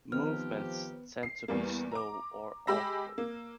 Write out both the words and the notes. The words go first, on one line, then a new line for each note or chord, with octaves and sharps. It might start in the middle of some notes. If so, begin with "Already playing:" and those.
Movements tend to be slow or awkward.
D#3 F3 B3 C4 D#4 G4 F6
C7
E2 G3 A#3
A#5 D6
G#3 G4 B5 E6 A#6
A#3